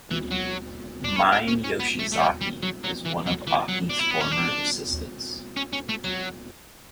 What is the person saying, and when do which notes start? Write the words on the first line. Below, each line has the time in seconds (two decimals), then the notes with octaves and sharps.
Mine Yoshizaki is one of Aki's former assistants.
0.11 E3
0.31 F#3
1.04 D4
1.16 C#4
1.32 D4
1.47 C#4
1.64 C#4
1.80 B3
1.99 A3
2.13 A3
2.21 G3
2.42 G3
2.63 F#3
2.84 F#3
3.05 E3
3.26 F#3
3.47 E3
3.69 F#3
3.90 D4
3.99 E4
4.11 B3
4.21 C#4
4.32 D4
5.57 C#4
5.73 C#4
5.89 A3
6.04 F#3